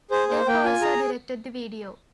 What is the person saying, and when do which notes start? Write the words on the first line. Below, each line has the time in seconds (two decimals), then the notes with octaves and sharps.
Depp also directed the video.
0.11 G#4 C5
0.29 A#3 C5
0.46 A#3 G5
0.64 F4 G#5
0.81 G#4 A#5